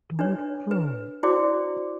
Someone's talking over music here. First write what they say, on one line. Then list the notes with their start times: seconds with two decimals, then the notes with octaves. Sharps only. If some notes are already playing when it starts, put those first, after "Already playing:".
Don’t cry.
0.19 D4 B4 C#5
0.71 B4
1.23 E4 F#4 C5 D5 G5 D6